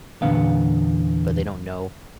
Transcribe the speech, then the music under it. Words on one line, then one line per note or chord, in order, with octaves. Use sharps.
but they don't know,
E2 A#2 D3 B3 F5